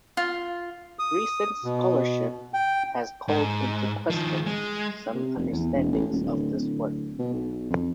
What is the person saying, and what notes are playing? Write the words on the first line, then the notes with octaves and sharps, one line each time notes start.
Recent scholarship has called into question some understandings of this work.
F4
D#6
B2
G5
G#2
D#3 F3
G#3
C3
F1
E2
E1
A1
D#1
D1
D1
B2
B1
F2